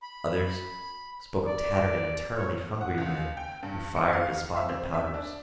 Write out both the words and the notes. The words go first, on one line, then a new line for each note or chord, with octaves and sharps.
Others spoke of tattered and eternally hungry men who fired despondent powders.
B5
D5
C#5
F#5
C#2
G5
G2
C#7
F5
E5
C4
E5
D4